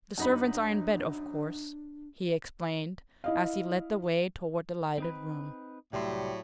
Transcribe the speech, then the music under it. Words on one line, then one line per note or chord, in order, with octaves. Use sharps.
"The servants are in bed, of course," he explained, as he led the way toward the lighted room.
F#2 D4 D#4 B5
E4 D#5 F5
C4 D#4 B4
C2 A2 F#3 G3 A3 C6